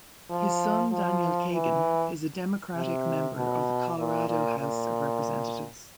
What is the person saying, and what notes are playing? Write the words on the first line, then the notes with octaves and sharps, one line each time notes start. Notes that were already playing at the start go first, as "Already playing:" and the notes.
His son Daniel Kagan is a Democratic Member of the Colorado House of Representatives.
F3
F3
E3
C3
B2
A#2
A#2
A#2